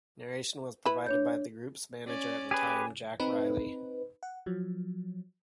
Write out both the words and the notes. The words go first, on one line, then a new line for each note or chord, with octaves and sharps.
Narration was provided by the group's manager at the time, Jack Rieley.
E4 B4
D4 C#5 G6
C#4 D5
G4 G#4 B4 G#5
C4 D#4 B4
F#5
F3 F#3